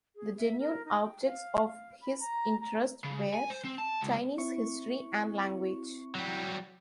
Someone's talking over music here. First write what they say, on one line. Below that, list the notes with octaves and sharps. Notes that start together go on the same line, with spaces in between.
The genuine objects of his interest were Chinese history and language.
G#4
E5
A#4
D#4
G5
F5
F5
B5
A#5
A#5
C#3
G#5
C5
C4
A5
C#2
C4 E4 C#6
F#3 G3